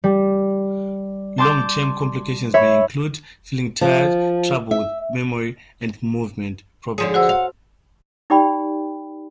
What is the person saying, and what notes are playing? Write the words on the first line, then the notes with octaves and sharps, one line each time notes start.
Long term complications may include feeling tired, trouble with memory, and movement problems.
G3
A5 C6 D6 G6
C#5 E5 B5 E6
F3
E5
D3 F3 G#4 C#5
F#4 C5 F#5 E6
F5
D#4 G4 D5 G5 B5